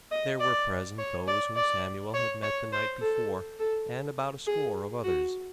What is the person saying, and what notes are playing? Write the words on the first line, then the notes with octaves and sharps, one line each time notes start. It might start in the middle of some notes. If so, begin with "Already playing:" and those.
There were present those whom Samuel had met the night before, and about a score of others.
D#5
D5
C#5
D5
D5
C#5
C#5
C5
A4
A4
G#4
F#4